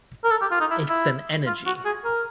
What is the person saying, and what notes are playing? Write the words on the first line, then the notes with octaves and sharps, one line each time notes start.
It’s an energy!
A#4
A4
G4
F4
D#4
E4
E4
F4
F#4
G#4
A#4